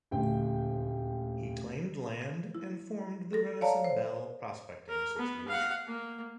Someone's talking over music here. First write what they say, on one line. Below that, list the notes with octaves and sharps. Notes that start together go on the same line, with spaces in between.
He claimed land and formed the Renison Bell Prospecting Association.
D#1 D2 G5
E4
A4 A#6
C#5 D5 F5 A5 A#5
C5
A#4
B3
F5 F#5
A#3